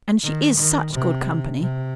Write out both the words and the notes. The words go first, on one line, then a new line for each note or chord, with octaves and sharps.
And she is such good company.
D#3
D#3
C3
C3